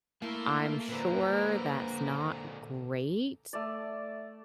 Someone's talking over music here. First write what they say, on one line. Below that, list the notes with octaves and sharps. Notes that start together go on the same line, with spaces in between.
I'm sure that's not great,
A3 A#3 E4 A#4 E5 C6
A#2 D3 B4 C5 A#5
A3 D5